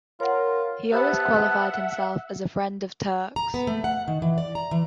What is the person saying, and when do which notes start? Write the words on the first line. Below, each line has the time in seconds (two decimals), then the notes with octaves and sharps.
He always qualified himself as a friend of Turks.
0.20 F4 A#4 C#5 F#5
0.92 B3 G4 C5 E5 F#5 A5 B5
3.36 A#5
3.54 B3
3.67 A3
3.84 F#5
4.08 D#3
4.22 E3
4.38 D5
4.55 A#5
4.71 E3